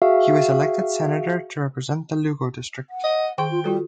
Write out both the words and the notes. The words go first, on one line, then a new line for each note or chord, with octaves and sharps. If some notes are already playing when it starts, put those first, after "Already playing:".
He was elected senator to represent the Lugo district.
F#4 G#4 E5 F5
F#5
D#5
D#3 G#4 G5 C6 C#6
F4
G3 F4 F#4 A4